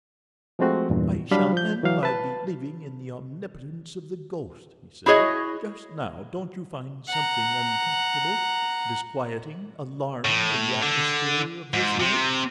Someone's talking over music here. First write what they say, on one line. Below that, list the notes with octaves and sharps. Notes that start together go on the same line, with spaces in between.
"I shall end by believing in the omnipotence of the ghost," he said. "Just now, don't you find something uncomfortable, disquieting, alarming in the atmosphere of this room?"
F3 G#3 A3 C4 F#4
E2 G2 A#2
F#3 G3 D4 F5 B5
F3 G6
E3 F#3 F5
B4 A5
E4 F#4 G#4 C#5 D#5
F#5 A#5
A2
D3
G#2
C3